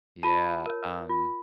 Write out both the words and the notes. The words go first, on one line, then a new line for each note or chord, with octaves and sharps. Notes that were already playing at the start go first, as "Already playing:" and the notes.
Yeah, um
F4 A5
A#4 C#5
F4